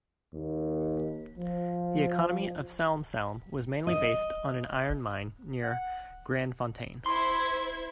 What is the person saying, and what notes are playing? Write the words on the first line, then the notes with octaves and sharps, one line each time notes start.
The economy of Salm-Salm was mainly based on an iron mine near Grandfontaine.
D#2
F3
D#5
F#5
E4 C5 C6 G#6